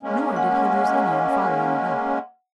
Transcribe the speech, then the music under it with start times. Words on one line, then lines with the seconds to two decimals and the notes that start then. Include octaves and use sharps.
Nor did he lose any in following it up.
0.03 G#3 A#3 C#4
0.36 F#5